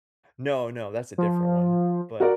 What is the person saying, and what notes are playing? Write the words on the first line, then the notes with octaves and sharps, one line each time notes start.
No, no, that's a different one, but
F3
F#4 A#4 D5